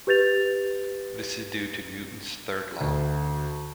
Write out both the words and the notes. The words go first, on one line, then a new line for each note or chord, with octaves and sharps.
This is due to Newton's Third Law.
G4 B4 G6 A6 F7
D2